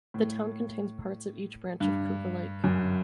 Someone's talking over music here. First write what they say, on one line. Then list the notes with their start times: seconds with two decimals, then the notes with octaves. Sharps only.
The town contains parts of each branch of Keuka Lake.
0.14 A2
1.80 G2
2.64 F#2